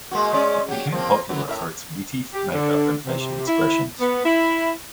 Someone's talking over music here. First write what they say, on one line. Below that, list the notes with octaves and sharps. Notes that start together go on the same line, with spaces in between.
It became popular for its witty makeup and facial expressions.
G#3 A#3 F#4
G#3 C#4 D5
F#3 G4
F3 A#3 C4
F#2 E3 F#3
A2 A#4 E5
G4
D3
C3
E4
B3
E4